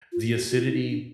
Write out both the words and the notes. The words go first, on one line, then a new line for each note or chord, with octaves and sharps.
the acidity
F4
F#4
F#4
F4
E4
D#4
D4